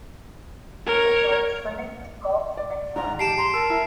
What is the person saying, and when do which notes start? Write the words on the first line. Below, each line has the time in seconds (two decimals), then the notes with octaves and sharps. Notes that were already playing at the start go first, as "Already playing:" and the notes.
He enjoyed swimming, golf and flying.
0.87 A#4 C#5
2.57 D5
2.96 G#2 A#5
3.19 G4 A5 C7 D7 E7
3.38 A#5 C6
3.54 A#4 A5 E6
3.70 E4